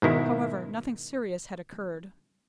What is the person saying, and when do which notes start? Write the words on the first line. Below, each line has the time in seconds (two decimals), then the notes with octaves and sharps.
However, nothing serious had occurred.
0.02 G#2 B2 D#3 E4